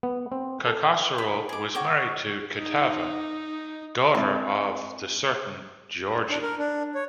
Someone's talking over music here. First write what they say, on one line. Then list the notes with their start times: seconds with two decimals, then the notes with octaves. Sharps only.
Kaikhosro was married to Ketevan, daughter of the certain Giorgi.
0.03 B3
0.32 C4
0.66 A4
1.18 B4 B5 D#6
1.49 G#4 D6
1.75 F#4 C#5 G5 D6
2.57 D#4
4.15 G#3 C4 E4 A5
6.30 D4
6.42 A#4
6.58 D4
6.95 C#5